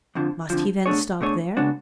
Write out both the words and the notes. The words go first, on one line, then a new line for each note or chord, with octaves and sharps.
Must he then stop there?
F2 D3 F3
F2 D3 F3
B2 A3 D4 G#4 C#5
B2 A3 D4 G#4 C#5
C#3 G#3 B3 D4 F#4